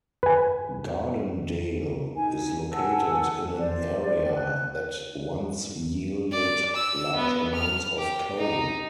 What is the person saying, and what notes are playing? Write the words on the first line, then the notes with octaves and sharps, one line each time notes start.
Gardendale is located in an area that once yielded large amounts of coal.
B4 G#5
D#4 G#5
F#5 G#5 A5 E6
C5 D5
F#6
D5
E6
B3
F6
G4
D#4